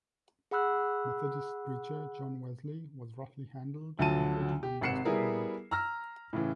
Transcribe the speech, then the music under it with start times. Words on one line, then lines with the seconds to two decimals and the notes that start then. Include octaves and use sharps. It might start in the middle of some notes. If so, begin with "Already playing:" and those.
Methodist preacher John Wesley was roughly handled while preaching on Gosta Green.
0.51 G#4 F#5 B5 E6 F#6
3.99 D2 D3 F3 F#3 A5 D#7
4.63 G4
4.81 G#1 C3 F#5 C7 C#7 E7
5.05 G3 B3 E4 G#4 A#4
5.71 A#5 E6 F6 A#6
6.33 A2 C#3 E3